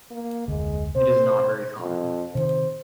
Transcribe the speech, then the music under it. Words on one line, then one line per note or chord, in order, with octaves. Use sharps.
It is not very common.
A#3
F1 D2 G#3
C3 C5
F2
C3 D#3 C5